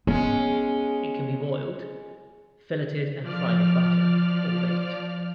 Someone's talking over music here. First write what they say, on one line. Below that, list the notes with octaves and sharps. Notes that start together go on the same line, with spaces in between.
It can be boiled, filleted and fried in butter, or baked.
G#3 B3 C#4
F3 D5 F6